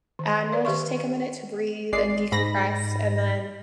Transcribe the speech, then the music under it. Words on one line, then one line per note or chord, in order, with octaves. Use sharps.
and, we'll just take a minute to breathe, and decompress, and then
D#3
B4 D5
D#3 G4 E5 F5 C6 C#6
G#1 G#3 D5 C7
G#2 B5 A#6